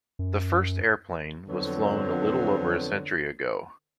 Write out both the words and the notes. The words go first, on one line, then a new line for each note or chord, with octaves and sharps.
The first airplane was flown a little over a century ago.
F#2
F2 D3 F#3 B3 C5 C#5